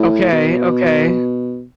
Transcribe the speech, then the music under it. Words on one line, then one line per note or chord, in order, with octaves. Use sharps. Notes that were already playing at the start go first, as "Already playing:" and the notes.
Okay, okay.
Already playing: A2
B2